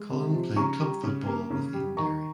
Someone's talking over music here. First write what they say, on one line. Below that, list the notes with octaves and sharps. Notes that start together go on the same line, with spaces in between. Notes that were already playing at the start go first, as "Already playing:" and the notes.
Cullen played club football with Edenderry.
Already playing: G#3
C3
F3
C#3 A#5 C#6
G3
C#3
A#3
C#3
G3
D#3 A#5 C#6